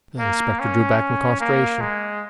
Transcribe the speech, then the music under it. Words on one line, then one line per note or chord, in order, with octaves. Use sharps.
The inspector drew back in consternation.
A#3
C#4
A#3
G#3